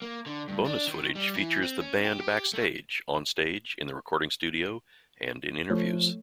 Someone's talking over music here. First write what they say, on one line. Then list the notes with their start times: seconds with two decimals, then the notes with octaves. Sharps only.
Bonus footage features the band backstage, on-stage, in the recording studio and in interviews.
0.02 A#3
0.26 D3
0.48 G2
0.66 D4
0.87 D#3
1.15 G3
1.36 E3
1.62 C4
1.81 C#4
2.04 G4
2.20 G4
2.53 A3
5.70 F3 A3 C#5